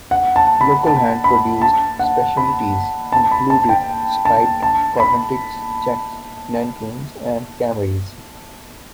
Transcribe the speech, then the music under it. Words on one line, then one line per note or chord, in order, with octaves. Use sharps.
Local hand-produced specialities included striped cotton ticks, checks, Nankeens and Camrays.
F#5
A5
B5
A5
B5
A5
F#5
B5
A5
B5
A5
G5
A5
A5
B5